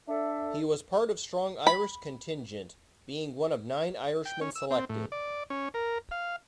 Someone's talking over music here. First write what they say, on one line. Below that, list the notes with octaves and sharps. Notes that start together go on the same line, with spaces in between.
He was part of strong Irish contingent, being one of nine Irishmen selected.
D4 A4 E5
B5
G5
C#4
E6
C4
A2
D5
C#4
A#4
F5